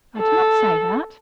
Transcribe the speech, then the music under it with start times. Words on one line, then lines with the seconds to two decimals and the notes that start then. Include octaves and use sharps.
"I did not say that."
0.19 A4